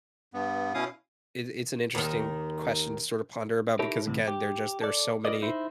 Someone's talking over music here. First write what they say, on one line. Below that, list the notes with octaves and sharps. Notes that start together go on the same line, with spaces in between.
it's an interesting question to sorta ponder about because again, there's just there's so many,
G2 B3
B2 C#4 E4 F5 D#6
D#2 D#3
D#4 E4 G4 A4 A#4 C#5
D2 A2 C3 E3
G4
A4 D5
F4 A#4 B4 D5 D#5
D#4 E4 C5